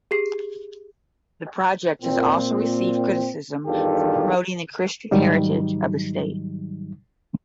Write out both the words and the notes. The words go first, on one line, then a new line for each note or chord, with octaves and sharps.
The project has also received criticism for promoting the "Christian heritage" of the state.
G4 G#4 C7
A#2 C4
E2 G2 D#3 F4 G4 A4
G#2 D#3 F#3 G3 D#4